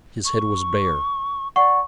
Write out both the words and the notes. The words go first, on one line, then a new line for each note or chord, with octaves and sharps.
His head was bare.
C#6
D5 F#5 C#6